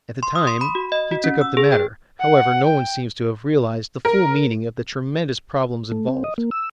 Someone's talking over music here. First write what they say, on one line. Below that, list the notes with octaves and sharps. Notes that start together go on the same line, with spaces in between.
At the time he took up the matter, however, no one seems to have realized the full meaning of the tremendous problems involved.
C6
D#6
C6
B5
F#4
D#5
F#4
C#4
E6
G#4
G5
F#5
G5
A#4
A3
C4
D#5
A#3
E6